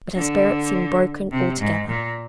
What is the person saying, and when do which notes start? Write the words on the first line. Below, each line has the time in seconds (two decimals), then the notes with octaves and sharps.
But her spirit seemed broken altogether.
0.16 D3
1.31 C3
1.59 G#2
1.88 A#2